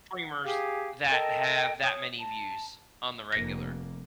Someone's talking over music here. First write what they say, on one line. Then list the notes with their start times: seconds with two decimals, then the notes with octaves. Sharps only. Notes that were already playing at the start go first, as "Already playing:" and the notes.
streamers that have that many views on the regular.
0.11 F#5
0.44 G4 G#4 F5
1.10 A4 A#4 D#5 G5
1.81 C#5 D#6
2.19 A5 A#5
3.32 F1 A#3 A#6